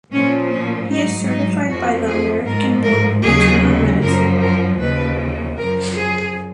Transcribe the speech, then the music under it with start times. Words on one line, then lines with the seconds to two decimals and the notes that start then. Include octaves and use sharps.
He is certified by the American Board of Internal Medicine.
0.12 A#2 F3 C#4
0.52 C#4
0.90 G#2 F#3 D#4
1.28 D#4
1.68 F2 F3 F#4
2.07 G#4
2.46 G#2 F3 A#4
2.85 A#4
3.23 D#2 C#3 F#3 G#4
4.02 F#2 F3 A#4
4.41 A#4
4.79 D#2 C#3 F3 B4
5.58 F#2 F3 A#4
5.96 G#4